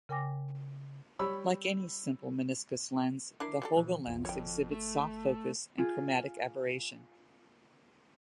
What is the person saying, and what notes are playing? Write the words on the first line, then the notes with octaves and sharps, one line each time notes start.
Like any simple meniscus lens, the Holga lens exhibits soft focus and chromatic aberration.
C#3 A#4 G5 G#5 D6 A#6
G3 C#5 B5 E6
D4 E4 A#4 D6 C7
F#3 G3 A4
A#2 E3 F3
A#1 E2 F4
G1 F2 C#5 G5
A3
F4 G#4